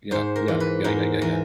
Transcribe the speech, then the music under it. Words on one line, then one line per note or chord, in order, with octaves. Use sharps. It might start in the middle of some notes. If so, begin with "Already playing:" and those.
yeah, yeah, yeah, yeah, yeah, yeah.
G#2 C5
A#4
E3
B4
G#2 A#4
E3 A#4